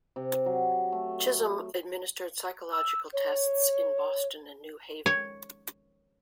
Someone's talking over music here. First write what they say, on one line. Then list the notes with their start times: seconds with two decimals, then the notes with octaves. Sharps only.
Chisholm administered psychological tests in Boston and New Haven.
0.16 C3
0.46 F#3
0.92 A3
2.72 E6
3.13 C#5
5.06 C#5